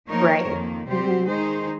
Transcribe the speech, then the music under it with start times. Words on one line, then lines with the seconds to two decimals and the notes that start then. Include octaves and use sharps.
Right. Mhm.
0.09 F3 A#3 D#4 A#4 C#5
0.48 F2 D#3 A#3
0.87 C3 G3 C4 G4 C5
1.26 D#3 G#3 D#4 G#4 C5